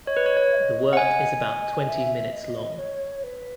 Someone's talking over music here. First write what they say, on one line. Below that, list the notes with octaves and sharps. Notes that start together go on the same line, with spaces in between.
The work is about twenty minutes long.
C#5 D#5
B4
C#5
C#5
E5
D#5
F#5
G#5
E5
D#5
C#5
B4